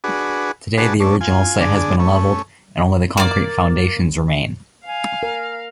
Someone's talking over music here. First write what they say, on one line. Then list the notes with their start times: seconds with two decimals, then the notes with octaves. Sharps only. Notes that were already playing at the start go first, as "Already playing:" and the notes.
Today the original site has been leveled, and only the concrete foundations remain.
0.04 D4 F#4 G#4 B4
0.78 D4 F#4 G#4 B4 A5
1.00 A3 C#4 D4
1.21 F4 G#5
1.61 D3 D4 G#4
1.99 A3 C#4
3.17 A#3 D5
4.86 F5 G#5
5.23 A#4